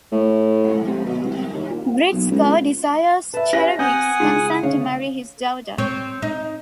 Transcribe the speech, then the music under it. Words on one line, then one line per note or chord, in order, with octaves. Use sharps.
Gritsko desires Cherevik's consent to marry his daughter.
A2
C3
B2
C2
D#2
A#2
B1
C#2
B4 E5 A5
C#4 G4 B4 A#6
C4 F#5 G#5 D#6 G6
C#3 G#3 D#4 F4
D2 C#3 C#5 F5
C4 C#5
D#4